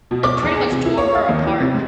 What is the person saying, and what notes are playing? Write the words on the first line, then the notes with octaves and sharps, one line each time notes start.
it pretty much tore her apart.
B2
D6
E2
G#4
C3
E4
C#5
F5
D#2
E3
C3
G#2